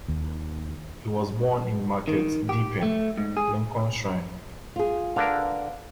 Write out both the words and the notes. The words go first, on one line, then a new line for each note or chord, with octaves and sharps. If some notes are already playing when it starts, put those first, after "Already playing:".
He was born in Market Deeping, Lincolnshire.
D#2
D#3
G4
A3
G#2
G#4
F4 G#4
D3 D4 A#4 B4 F5